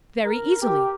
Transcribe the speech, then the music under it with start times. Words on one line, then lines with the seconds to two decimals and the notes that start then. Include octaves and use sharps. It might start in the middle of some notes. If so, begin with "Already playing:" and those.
"Very easily."
0.25 A#4
0.61 G4